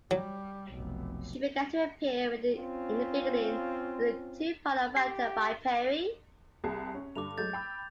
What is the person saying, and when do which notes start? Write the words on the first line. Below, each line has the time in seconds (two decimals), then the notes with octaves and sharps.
She began to appear in the beginning with the two-part "Avatar" by Perry.
0.11 F#3 G3
0.71 F1 B1
2.56 C4 C#4 F4
4.97 G4 C7
6.64 C2 G#4 A5
6.94 C#4
7.16 G2 D3 D6 F7
7.38 F#3 G#3 A3 G6 A6
7.53 G5 B5 E6